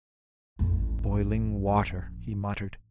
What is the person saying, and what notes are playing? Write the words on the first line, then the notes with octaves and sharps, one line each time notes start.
"Boiling water!" he muttered.
A1 F2